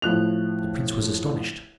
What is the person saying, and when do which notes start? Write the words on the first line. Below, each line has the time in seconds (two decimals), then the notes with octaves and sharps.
The prince was astonished.
0.02 A2 F3 F#6 F7